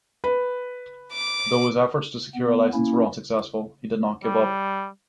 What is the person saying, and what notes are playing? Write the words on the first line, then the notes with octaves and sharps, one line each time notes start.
Though his efforts to secure a license were unsuccessful, he did not give up.
B4
D6
B3
A#3 C#4 E4
G3